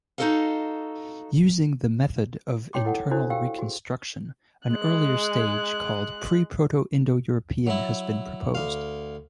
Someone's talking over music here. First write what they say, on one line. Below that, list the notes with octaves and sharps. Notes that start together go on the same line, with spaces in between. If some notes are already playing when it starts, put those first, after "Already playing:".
Using the method of internal reconstruction an earlier stage, called Pre-Proto-Indo-European, has been proposed.
D#4 E4 F#4 A4 D#5 F5
D#4 C#5 G5 C6 D6
E4 A4 F#5
D4 E4 F#4 A4 C5
G4 F5 G5 E6
F#4 G#4
G#3 F#6
F#3 E4
D2 F5